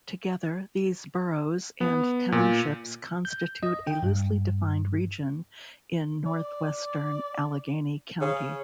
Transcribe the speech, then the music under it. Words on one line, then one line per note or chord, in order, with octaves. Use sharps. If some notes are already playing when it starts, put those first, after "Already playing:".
Together, these boroughs and townships constitute a loosely defined region in northwestern Allegheny County.
B3
A#2
G6
D#5
G5
G2
D5
C#3